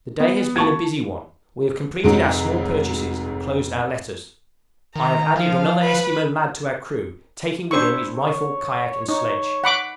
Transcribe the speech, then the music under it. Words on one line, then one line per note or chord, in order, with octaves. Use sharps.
The day has been a busy one: we have completed our small purchases and closed our letters; I have added another Esquimaux lad to our crew, taking with him his rifle, kayak, and sledge.
B3
A5 C#6 G#6
F1 G#2 F#3 G#3 D#4 D7
D#3 A#5
F3 F5
B4
D4 E4 C5 C#6
C#5
D#4 C#5
F#5 B5 D6